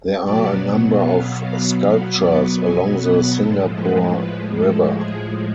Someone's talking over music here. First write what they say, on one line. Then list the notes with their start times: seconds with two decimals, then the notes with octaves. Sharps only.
There are a number of sculptures along the Singapore River.
0.23 B2 F#3 B3 D5
1.01 F5
1.41 F5
1.81 F5
2.20 D5
2.58 G#5
2.98 F#5
3.37 A2 F3 G#3 A4
3.77 B4
4.16 B4
4.55 A4
4.95 G#4